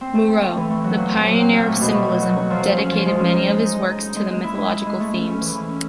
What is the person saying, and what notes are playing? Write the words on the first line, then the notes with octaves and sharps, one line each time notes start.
Moreau, the pioneer of symbolism, dedicated many of his works to mythological themes.
C4
A3
C4
A3
E3
A3
F#3
A#2
C4
F#3
C4
A#2
A3
B2
A3
F#3
F#3
F#3
F3
F3
C#4
F3
G#3
C#4
D#4
G#3
D#4
D#4
D#4
D#4
G#3
G#3
E4
G#3
E4
G#3
A3
C#4
C#4
E3
E3
C#4